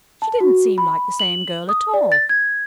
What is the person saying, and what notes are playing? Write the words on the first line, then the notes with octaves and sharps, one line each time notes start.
She didn't seem like the same girl at all.
A5
F#4
B5
F#7
D#6
D5
A6
G#6